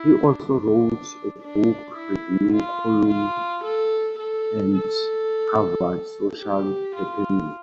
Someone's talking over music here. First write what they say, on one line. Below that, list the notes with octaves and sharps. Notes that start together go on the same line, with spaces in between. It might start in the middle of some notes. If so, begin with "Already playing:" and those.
He also wrote a book review column and covered social happenings.
Already playing: E4
D4
D4
E4
F4
F4
A4
A4
A4
G4
F4